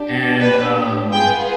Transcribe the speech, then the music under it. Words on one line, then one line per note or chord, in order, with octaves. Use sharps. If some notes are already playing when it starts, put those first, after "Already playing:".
and, um,
Already playing: D4 G4
B4
B3 F4 G#4 G5